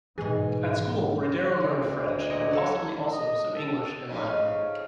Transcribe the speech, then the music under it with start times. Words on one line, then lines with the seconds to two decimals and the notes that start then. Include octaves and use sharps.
At school Bredero learned French and possibly also some English and Latin.
0.18 G#2 B2 E3 D#4 G#4
1.60 C#3
1.80 D2
2.08 G#3
2.30 A#2 D#5
2.51 F#3 C#4 A4
3.12 D#5
3.56 A4
4.09 F2 C#3 D#4